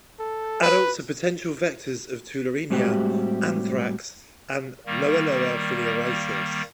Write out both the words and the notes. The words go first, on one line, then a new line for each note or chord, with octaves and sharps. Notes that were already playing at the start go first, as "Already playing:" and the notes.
Adults are potential vectors of tularemia, anthrax and loa loa filariasis.
A4
B4
A2 G3 G#3 C4 F#4 G4
D#3 G3 A#3